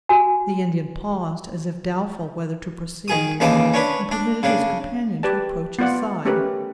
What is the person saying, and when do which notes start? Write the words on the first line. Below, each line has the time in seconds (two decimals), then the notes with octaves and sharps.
The Indian paused, as if doubtful whether to proceed, and permitted his companion to approach his side.
0.09 F#4 G#5
3.08 D#3 G#4 D#6
3.40 D#2 C#3 E3 D#4 A5 D6
3.74 C#4 D4 B4
4.11 D4
4.43 C#3 D4
5.23 G4 B4 D5 A5
5.79 B3 F4 D5 F#5
6.25 A3 C#4 G4 A#4 B4